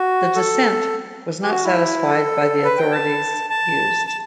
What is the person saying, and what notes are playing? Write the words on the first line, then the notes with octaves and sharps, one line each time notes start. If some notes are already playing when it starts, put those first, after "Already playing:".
The dissent was not satisfied by the authorities used.
Already playing: F#4
A4
G4
F#4
E4
A4
B4
G5
A5
A5
A5